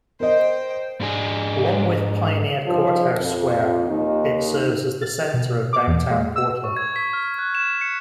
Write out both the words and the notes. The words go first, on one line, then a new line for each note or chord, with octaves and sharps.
Along with Pioneer Courthouse Square, it serves as the center of downtown Portland.
A#4 C5 D#5 G5
G#2 D4 G#4 D#5
G2 D#3 F3
F2
D#2 D#3
A6
B2
D6
E2
G#3
E6
C#6
G#6
B6
F6
F#6
E7
C#7